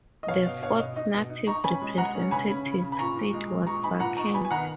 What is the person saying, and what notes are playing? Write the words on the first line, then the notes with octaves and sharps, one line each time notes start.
The fourth Native Representative seat was vacant.
D#5
B2 C#5 F5
B2
B2 C#5 F5
B2 D#5
D#4 D#5
B2
D#4
D#4 A#5 C#6
C#4 G#5 B5
G#3
G#3 F#5 A#5
C#4
C#3 G#5 B5
C#4
C#3
C#3
B5
A#2 A#5 C#6
A#2
G#3
A#2
G#3 A#5 C#6
D#4 G#5 B5
A#2 F#5 A#5
D#4 A#5 C#6
B3 G#5 B5
G#5
D#3 F#5 A#5